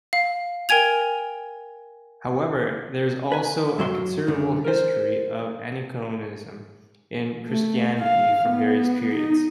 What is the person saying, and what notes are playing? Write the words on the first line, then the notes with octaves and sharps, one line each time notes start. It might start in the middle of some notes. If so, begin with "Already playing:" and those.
However, there is also a considerable history of aniconism in Christianity from various periods.
F5
A#4 G5 G#5 G#6 F7
B4 G#5
F#2 F#3 C6
C#2 F#2 D3
A#4 C5
A3
F5
B3
D#4